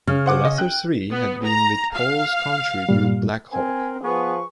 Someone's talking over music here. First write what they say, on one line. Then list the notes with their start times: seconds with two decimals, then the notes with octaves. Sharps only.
The latter three had been with Paul's country group BlackHawk.
0.07 C#3 F6
0.26 C5 F#5 D6
0.45 D#5
0.58 G5 F#6
1.11 B3
1.45 A#5
1.95 F5
2.89 G2 A#2 G3
3.53 C4 A#4 G#5
4.04 F3 B3 G#4 B4 C#6